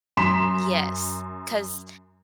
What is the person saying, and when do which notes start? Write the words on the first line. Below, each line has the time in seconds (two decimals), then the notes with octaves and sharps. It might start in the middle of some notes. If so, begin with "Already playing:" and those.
Yes, 'cause
0.17 F#2 A#5 C6 B6 E7